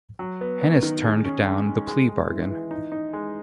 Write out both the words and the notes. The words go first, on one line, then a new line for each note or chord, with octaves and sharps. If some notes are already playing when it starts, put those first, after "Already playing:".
Hennis turned down the plea bargain.
F#3
B3
B3
D#3
G#4
C#4
G#3
G#3
G#3
G#3
E3
E3
D#4
D#4
G#3